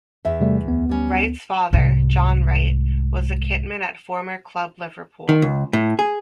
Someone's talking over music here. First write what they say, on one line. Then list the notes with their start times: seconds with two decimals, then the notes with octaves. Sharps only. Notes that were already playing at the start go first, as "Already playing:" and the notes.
Wright's father, John Wright, was a kitman at former club Liverpool.
0.25 E2 E5
0.40 C3 G3 A3
0.66 D2 B3
0.89 G3 C#4
1.73 C2 G#2
5.29 D#3
5.42 C#2
5.73 A2
5.99 G#4